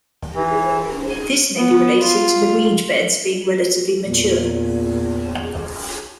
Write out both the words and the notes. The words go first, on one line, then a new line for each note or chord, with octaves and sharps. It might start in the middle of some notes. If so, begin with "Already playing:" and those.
This may be related to the reed beds being relatively mature.
E3
B3
F4
E2 A#2